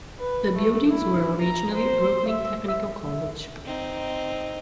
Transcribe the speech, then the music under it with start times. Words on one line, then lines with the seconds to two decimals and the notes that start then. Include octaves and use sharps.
The buildings were originally Brooklyn Technical College.
0.21 B4
0.55 A3
0.86 E4
1.40 A#5
1.74 C5
2.27 E5
2.68 E5
3.65 C4 D#4